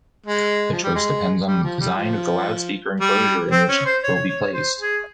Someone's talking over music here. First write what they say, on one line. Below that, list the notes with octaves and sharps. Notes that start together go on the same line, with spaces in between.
The choice depends on the design of the loudspeaker enclosure in which it will be placed.
G#3
F3
G3
G#3
G3
F3
G3
F3
G3
C4
C#4
C5
C#5
C#5
C#5
C#5
C5
G#4